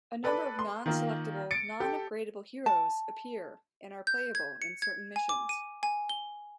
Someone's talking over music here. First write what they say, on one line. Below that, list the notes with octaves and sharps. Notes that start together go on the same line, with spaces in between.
A number of non-selectable, non-upgradable heroes appear and are playable in certain missions.
A4 B4 D5 B5
C6
D#3 A#3 F4
A6 C#7 D7
G4 A4
A5
G6
G#6
C#7
G#6
G#5
D6
D#7
G#5
G7